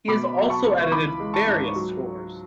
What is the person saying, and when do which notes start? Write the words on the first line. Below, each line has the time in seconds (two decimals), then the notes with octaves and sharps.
He has also edited various scores.
0.08 B2 B5 D6
0.36 F#3
0.50 A5 C#6
0.64 C#2
0.92 E3 B5 D6
1.20 G#3
1.34 A5 C#6
1.48 G#2
1.76 F#3